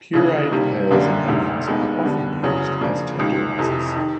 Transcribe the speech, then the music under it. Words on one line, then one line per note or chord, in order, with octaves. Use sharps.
Pureed pears and onions are often used as tenderizers.
D#2 C#3 E3
C3 D#3 G3 A#3
G1 F#2 D3 G3 A#3
E1 D2 C3 D#3
D#2 D#3 G#3 B3 D#4
D#2 D3 G3 B3
F#1 E2 C#3 F#3
C#3 F3 A#3 D4 F4
C#2 C3 D#3
F1 F2 C3 E3
D#3